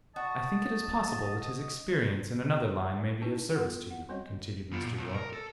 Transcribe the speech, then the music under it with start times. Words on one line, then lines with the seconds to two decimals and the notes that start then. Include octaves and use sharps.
"I think it is possible that his experience in another line may be of service to you," continued Mr. Yorke.
0.16 F#4 D#5 A5
3.21 C#4 D#4 E4 F#4 G4 B4
3.55 B3 F4 A4 B4 F#5
3.91 F#5
4.09 G3 C4 C#4 F#4 C#5 D#5
4.72 B3 F4
4.84 A#2
4.98 B1
5.15 A#4
5.33 A4